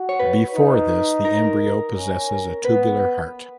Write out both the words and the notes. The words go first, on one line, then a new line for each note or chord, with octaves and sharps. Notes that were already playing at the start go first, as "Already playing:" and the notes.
Before this, the embryo possesses a tubular heart.
Already playing: F#4
C#5
B4
D#4
A#4
C#4
B3 B4